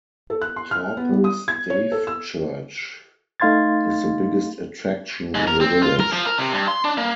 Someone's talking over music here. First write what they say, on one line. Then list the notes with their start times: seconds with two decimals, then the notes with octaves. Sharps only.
Torpo stave church is the biggest attraction in the village.
0.30 A4
0.41 F#6
0.56 C6
0.71 F6
0.97 B3
1.09 G3
1.24 D#6
1.48 G#6
1.70 C#5
1.92 A4
2.07 E6
3.40 A3 D#4 F5 C6 G#6 A6
5.35 G#2
5.47 A#4
5.61 C4
5.82 F4
6.00 A#4
6.13 F3
6.26 A#4
6.38 C3
6.52 G2
6.68 C6
6.84 D4
6.97 A#3